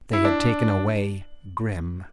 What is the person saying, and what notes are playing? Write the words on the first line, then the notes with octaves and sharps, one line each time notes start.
They had taken away Grimm.
E4
D4